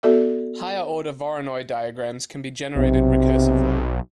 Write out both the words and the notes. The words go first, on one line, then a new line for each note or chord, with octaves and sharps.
Higher-order Voronoi diagrams can be generated recursively.
B3 F#4 A4 D5 E5
B1 C3